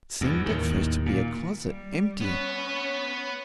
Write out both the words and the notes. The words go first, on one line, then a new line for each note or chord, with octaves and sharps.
It seemed at first to be a closet, empty.
E2 G2
D#2 A2 D#3
A#2
G3
B3 C#4 B4 C#5